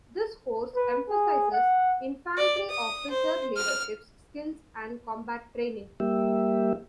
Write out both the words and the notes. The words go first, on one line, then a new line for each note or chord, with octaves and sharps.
This course emphasizes infantry officer leaderships skills and combat training.
B4
G#4
F#5
D5
D#6
C5
F6
G3 A#3 G4 E5